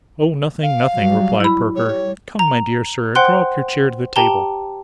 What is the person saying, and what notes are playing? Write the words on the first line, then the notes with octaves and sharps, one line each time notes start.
'Oh, nothing, nothing,' replied Perker. 'Come, my dear Sir, draw up your chair to the table.
F5
F#3 G3
E4 B5
G3 C#5
A#5
C5 F#5 G5 C6 F#6
G4 G5 A5 A#5 G7